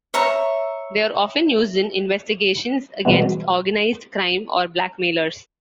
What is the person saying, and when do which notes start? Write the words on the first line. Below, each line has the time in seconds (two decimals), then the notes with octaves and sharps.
They are often used in investigations against organized crime or blackmailers.
0.14 C#5 E5 A#5
3.05 B2 E3 G3 G#3 B3